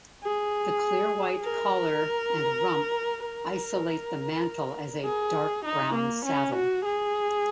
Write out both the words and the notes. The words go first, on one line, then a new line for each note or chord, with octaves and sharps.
The clear white collar and rump isolate the mantle as a dark brown 'saddle'.
G#4
A#4
A#4
G#4
D#4
A#3
C#4
F#4
G#4